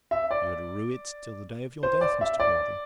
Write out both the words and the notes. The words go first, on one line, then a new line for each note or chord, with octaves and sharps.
You'd rue it till the day of your death, Mr. Caudle.
E5
D5
C5
D5
E5
D5